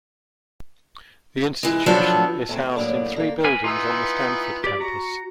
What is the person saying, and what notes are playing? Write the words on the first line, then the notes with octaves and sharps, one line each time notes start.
The institution is housed in three buildings on the Stanford campus.
E3 G#3
F3 F#3 B3 D4 A4
E2 A3 C4
A2 F#3 A#3 B3 D4
D3 A#3
A#4 B4 G#5
E3 B3 D#4 F4 E6
G4 D5
F#4 A#5